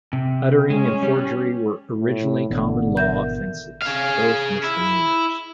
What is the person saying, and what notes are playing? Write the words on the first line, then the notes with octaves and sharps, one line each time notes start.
Uttering and forgery were originally common law offences, both misdemeanours.
C3
G#3 C#4
G3
A2
G#1 B2 D3 E3
A#4 E5 G6
G#4 F5
E4